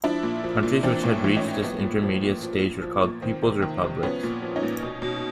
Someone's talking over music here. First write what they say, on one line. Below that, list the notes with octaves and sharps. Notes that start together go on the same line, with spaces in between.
Countries which had reached this intermediate stage were called "people's republics".
F3 D4 E4
A#2
F3
A#2
E3 C4 D4
A2
E3
C#4 D#4
A2
F3 B3
A#2
F3
A#2
F3
A#2
F3
A#2
D#3 C4
C3
D#3
C3
F3 B3 C#4
A#2
F3
C#4 D#4
A#2
B2
B2